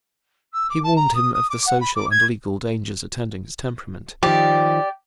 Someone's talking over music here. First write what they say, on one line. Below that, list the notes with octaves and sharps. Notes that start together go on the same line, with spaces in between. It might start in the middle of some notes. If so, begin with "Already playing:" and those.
He warned him of the social and legal dangers attending his temperament.
E6
D6
A5
A#5
D#6
D#6
D6
F#5
B5
D6
G#6
D#3 F3 G4 D5